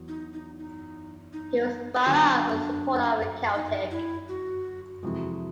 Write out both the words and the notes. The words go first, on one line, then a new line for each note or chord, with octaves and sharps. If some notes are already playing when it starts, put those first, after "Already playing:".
He was brought up a supporter of Celtic.
Already playing: E2 F#3
D#4
D#4
D#4
D#4
D3 F#3 B3 D4
D#4
E4
F#4
F2 C3 E3 G#3 F#4